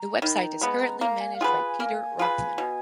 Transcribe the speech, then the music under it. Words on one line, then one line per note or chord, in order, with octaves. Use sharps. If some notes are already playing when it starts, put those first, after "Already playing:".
The website is currently managed by Peter Rothman.
Already playing: A#5
D#3 B5
A#5
G#3 B3
A#5
A#3 A#5
G#5
F5
F4 G#4 B4 F#5
G#5
A#3
F4 G#4 B4
B2